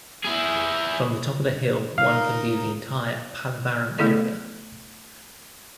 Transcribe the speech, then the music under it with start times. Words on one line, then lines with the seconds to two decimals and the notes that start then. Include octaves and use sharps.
From the top of the hill, one can view the entire Pallavaram area.
0.24 E4 G#4
1.98 D#4 A#4 F5
3.98 A3 B3 E4 G#4 A4 D#5